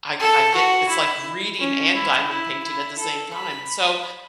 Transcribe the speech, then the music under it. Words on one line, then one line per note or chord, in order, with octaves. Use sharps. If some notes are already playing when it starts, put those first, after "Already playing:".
I g I get it's like reading and diamond painting at the same time. So,
A4
F#4
E4
C#4
E4
E4
E4
A4
B5
B5